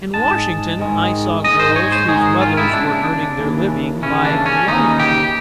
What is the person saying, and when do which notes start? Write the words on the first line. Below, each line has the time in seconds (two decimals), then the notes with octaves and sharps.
In Washington I saw girls whose mothers were earning their living by laundrying.
0.14 G#2 D#3 G#3 A5
0.79 G#2 D#3 G#3
1.44 G#2 D#3 G#3 D#5
1.60 C5
1.76 C#5
1.92 C5
2.08 G#2 D#3 G#3 G#4
2.41 F4
2.57 E4
2.73 D#2 C#3 E3 D4
3.38 D#2 C#3 E3
4.02 D#2 C#3 E3 C#4
4.25 D4
4.46 C#4
4.67 D#2 C#3 E3 D#4
4.99 G4